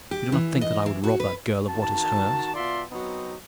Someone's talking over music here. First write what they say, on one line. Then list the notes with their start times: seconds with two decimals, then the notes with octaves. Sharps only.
You do not think that I would rob that girl of what is hers.
0.11 G4
0.32 E3
0.61 D#5
0.86 E3
1.04 F#4
1.20 B4
1.68 D#3 F#4 A5
2.54 B2 F4 D5 E5 C6
2.91 F#3 B3 C4 D#4